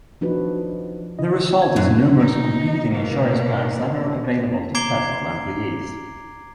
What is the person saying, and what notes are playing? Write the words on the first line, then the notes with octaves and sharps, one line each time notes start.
The result is numerous competing insurance plans that are available to federal employees.
F3 D4 D#4 F#4 B4
E4 D#5
G#6
F#2 A#2 D4
D#4
B2 A#3
A#5 D6 G#6 C7 D7 G7